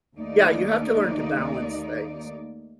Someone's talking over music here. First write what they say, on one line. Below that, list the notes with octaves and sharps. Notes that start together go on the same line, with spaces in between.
yeah, you have to learn to balance things.
D#2 A3 A#3 D#4 D5